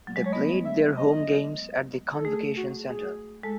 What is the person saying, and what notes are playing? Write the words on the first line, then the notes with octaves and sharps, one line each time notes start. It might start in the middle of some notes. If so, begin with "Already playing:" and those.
They played their home games at the Convocation Center.
F#3
G#3
A3 C#5
B3 D#5
E5
D#5
A4
A3 G#4
F#4
G#4
G#3 A4